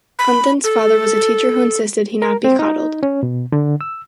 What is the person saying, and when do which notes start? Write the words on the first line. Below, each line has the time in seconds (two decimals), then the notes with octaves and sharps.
Unthan's father was a teacher who insisted he not be "coddled".
0.19 B5
0.64 A4
2.22 A#4
2.44 C4
2.59 D#4
3.03 C#4
3.23 B2
3.52 D3
3.81 E6